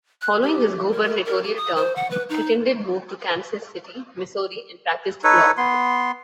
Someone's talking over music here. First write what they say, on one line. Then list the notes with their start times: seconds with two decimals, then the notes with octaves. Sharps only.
Following his gubernatorial term, Crittenden moved to Kansas City, Missouri and practiced law.
0.22 F#6
0.42 G4
0.92 A#4
1.03 A#4
1.25 A#4
1.44 G4
1.56 D#6
1.76 C5
1.96 F#5
2.10 B4
2.29 D#4
5.24 D#4 A4 B4 C#5
5.58 B3 C6